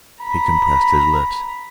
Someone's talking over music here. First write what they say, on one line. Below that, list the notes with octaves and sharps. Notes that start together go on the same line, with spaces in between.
He compressed his lips.
A#5 B5